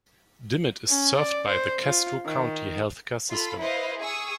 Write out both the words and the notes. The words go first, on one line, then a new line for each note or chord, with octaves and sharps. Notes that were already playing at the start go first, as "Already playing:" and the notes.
Dimmitt is served by the Castro County Healthcare System.
C#4
D5
C5
F4
D#3
F4 A4 B5
E4 B4 C5 D#5 F5
G#4 C#6 D#6 E6